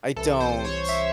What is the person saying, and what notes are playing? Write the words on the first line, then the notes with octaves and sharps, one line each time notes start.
I don't.
C2 C3 E3 A4
C5
C#5
E5